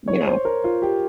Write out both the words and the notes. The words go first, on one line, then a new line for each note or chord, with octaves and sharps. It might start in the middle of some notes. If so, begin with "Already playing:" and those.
You know?
C#5
C5
A#4
F4
G4